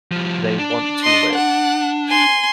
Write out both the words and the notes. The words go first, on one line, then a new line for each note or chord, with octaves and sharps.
They want to live.
F3 G3
D4
D#5 C6
F#5
G#5 C6